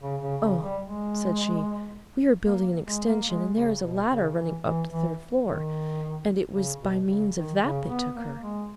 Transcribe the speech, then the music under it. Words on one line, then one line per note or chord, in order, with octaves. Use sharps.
"O," said she, "we are building an extension, and there is a ladder running up to the third floor, and it was by means of that they took her."
C#3
C#3
C#3
G3
G#3
A#3
G#3
A#3
G#3
C#3
B2
C#3
E3
E3
E3
D#3
C#3
B2
C#3
D#3
C#3
B3
A#3
G#3